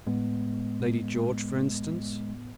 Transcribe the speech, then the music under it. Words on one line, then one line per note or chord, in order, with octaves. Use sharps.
"Lady George for instance."
A2 G#3 B3